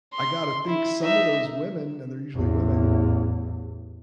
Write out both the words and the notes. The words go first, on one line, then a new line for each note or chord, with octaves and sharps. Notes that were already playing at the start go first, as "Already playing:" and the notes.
I gotta think some of those women, and they're usually women,
C6
E4
D#4 E5
A1 E2